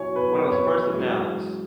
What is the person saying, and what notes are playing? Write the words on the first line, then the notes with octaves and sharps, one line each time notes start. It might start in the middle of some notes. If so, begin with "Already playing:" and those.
when it was first announced
Already playing: B2 F#3 E4 C#5 G#5
B2 F#3 E4 B4
B4
C#5
F#2 E3 G#3